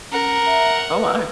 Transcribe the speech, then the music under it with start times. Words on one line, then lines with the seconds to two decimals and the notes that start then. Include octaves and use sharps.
Oh my.
0.12 C#4 A#4 F#5
0.46 E5
0.92 B4